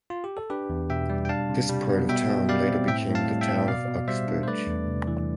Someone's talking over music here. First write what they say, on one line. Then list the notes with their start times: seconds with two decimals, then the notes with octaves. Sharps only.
This part of town later became the town of Uxbridge.
0.10 F4
0.24 G4
0.37 A4
0.50 D4 G4 B4
0.70 E2
0.90 B2 E5 G5
1.09 G3
1.25 G5
1.29 D4 F5 A5
1.50 C3
1.69 G3
1.89 B3
2.09 B2 E5 G5
2.29 B2
2.48 G3 D5 F5
2.68 C4
2.88 A2 E5 G5
3.08 A2
3.15 F5 A5
3.28 G3
3.41 E5 G5
3.48 C4
3.67 B2 D5 F5
3.88 B2
4.08 G3 C5 E5
4.28 D4
4.43 C5
4.47 A3 B4 D5
4.67 E2
4.87 C3
5.07 E3